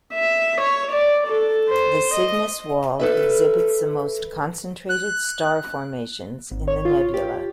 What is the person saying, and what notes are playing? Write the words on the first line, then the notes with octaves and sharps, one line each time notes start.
The Cygnus Wall exhibits the most concentrated star formations in the nebula.
E5
C#5
D5
A4
C5
D#5
A4 B4 E5
F#6
G#1
C#5
F4
G4